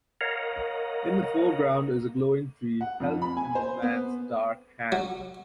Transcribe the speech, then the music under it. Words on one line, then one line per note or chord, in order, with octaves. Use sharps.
In the foreground is a glowing tree held in the man's dark hand.
A#4 C#5 D#5 F5 F#5 A#5
F#5
F2
B5
G#5
C5
B3
F#3